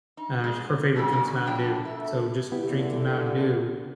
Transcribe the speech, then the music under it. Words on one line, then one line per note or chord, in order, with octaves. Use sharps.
uh, sh her favorite drink's Mountain Dew, so just drinking Mountain Dew
D#4
G#3
G3 G#3 C4 D4 A4
F#3 G#3 A#3 D4 D#4 F#4
F2 F#3 B3 D4 G5
A3 E4
E2 G2 D3 B3 E4 G4